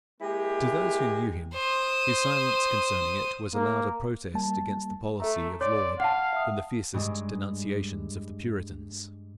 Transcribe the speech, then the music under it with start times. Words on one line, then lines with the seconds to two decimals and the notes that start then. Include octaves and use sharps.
To those who knew him his silence concerning it was a louder protest against the policy of Laud than the fiercest denunciations of the puritans.
0.21 G#3 A#3 E4 G4
1.54 C5 D#6
3.54 A#3
4.34 G3 A#3 A5
5.20 A3 A4 E5 A#5
5.61 C#5 D5 C6
6.00 F5 F#5 A5
6.33 E5 D#6
6.94 G2 G#3 D4